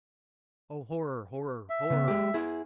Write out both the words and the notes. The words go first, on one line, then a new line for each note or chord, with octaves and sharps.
Oh, horror, horror, horror!
E5
C#3 B3
G#3 G4
E4 G#4